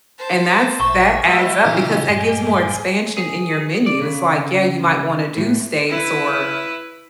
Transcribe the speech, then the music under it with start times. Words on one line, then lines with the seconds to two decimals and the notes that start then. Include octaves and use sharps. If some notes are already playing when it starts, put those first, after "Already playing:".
and that's that adds up because it gives more expansion in your menu, it's, like, yeah, you might wanna do steaks, or
0.19 C5 A5
0.80 A1 A#2 E5 C#6
1.27 G3 A3 F#4 G4 B4 D#5 E5
1.65 A#2 C#3 E3 D#4 F4
2.08 G2 A#2 G3 G#4
3.17 G#4
3.86 D5
4.01 C#3
5.37 A2
5.90 E4 B4